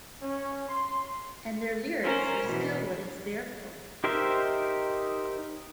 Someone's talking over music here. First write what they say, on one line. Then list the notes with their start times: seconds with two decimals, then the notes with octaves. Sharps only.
And their lyrics are still what it's there for.
0.22 C#4
0.68 C6
2.03 C#4 A#4 C5
2.43 B2 E3
4.04 D#4 G4 A#4 C5 E5